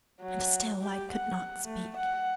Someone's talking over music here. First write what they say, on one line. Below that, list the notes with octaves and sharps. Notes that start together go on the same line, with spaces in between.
And still I could not speak.
F#3
G4
F#5
A3
F#5